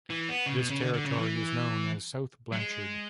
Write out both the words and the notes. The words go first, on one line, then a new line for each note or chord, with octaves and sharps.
This territory is known as South Blanchard.
E3
B3
C#3
B2
C#3
D3
D3
C#3
E3
F#3
G#3